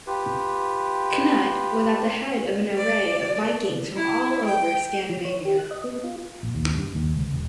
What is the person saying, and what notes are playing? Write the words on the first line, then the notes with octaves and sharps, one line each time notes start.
Cnut was at the head of an array of Vikings from all over Scandinavia.
F4 G4 B4
D5
E4
G5
F3
C#5
G4
F#6
D#5
B3
F4
A#1
D#2
G2
D#2
C#2
E1